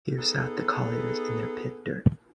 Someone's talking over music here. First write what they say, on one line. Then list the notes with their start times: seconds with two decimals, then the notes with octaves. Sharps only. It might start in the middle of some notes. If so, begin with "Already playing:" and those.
Here sat the colliers in their pit-dirt.
0.17 B3 D#4 G#4 A4